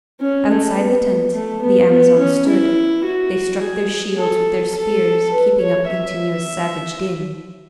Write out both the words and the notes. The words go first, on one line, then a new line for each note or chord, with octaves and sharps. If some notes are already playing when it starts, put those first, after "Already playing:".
Outside the tent the Amazons stood; they struck their shields with their spears, keeping up a continuous savage din.
C#4
A3
B3
A3
B3
B3
C#4
E4
F#4
G#4
A4
A4
B4
C#5
E5